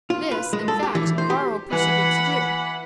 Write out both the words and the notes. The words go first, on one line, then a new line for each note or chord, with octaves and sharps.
This in fact Varro proceeded to do.
F4
B4
G#3
A4
G4
E3
C5
G4
E3 F#5 B5